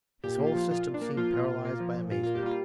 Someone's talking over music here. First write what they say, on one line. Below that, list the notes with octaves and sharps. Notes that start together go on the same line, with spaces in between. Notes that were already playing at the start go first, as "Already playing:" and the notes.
His whole system seemed paralyzed by amazement.
A#2 G4
A#3
F4
F3
A#2 F4
A#2
D4
A#3
F3 F4
A#2
A#2
A#3
F3
A#2
A#2 F4
A#3 F4
G4
G3 F4